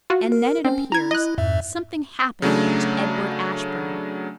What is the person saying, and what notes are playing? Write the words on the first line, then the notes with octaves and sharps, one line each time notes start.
And then, it appears, something happened to Edward Ashburnham.
F4 F#4
A#4
C4 C#4
E4 A#5 G#6
D#5 F#6
F2 G#2 E5
C#3 F#3 A3 D4